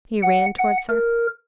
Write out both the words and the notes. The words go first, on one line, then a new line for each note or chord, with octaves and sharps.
He ran towards her.
F#5
F#5
A#4